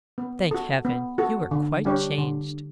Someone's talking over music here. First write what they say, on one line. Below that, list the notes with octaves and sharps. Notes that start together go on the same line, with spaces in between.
'Thank heaven, you are quite changed.'
B3
F#4 A4
B3
F#4 A4
D3
G3 D4 G4 C#5
D3